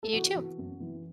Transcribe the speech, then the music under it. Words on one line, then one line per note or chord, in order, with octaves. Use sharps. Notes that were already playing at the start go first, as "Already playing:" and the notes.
You too.
A4
E3 F#4
E3
F#2
E3